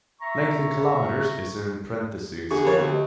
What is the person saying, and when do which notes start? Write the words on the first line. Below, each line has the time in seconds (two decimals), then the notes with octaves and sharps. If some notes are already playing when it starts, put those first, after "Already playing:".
Length in kilometers is in parentheses.
0.21 E5 A#5 C#6
2.51 D3 G4 G#4 C#6
2.65 F2 A#4 C#5 C#6
2.79 D2 G4
2.93 D#5